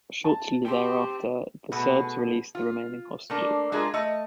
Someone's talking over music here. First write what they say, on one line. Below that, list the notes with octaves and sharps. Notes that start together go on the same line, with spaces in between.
Shortly thereafter, the Serbs released the remaining hostages.
A5
G4 G5 C6
B2 A3 B3 G#4
F4
A3 A#3 D4
G#3 D4 F4 G#4 A#4
A3 D#5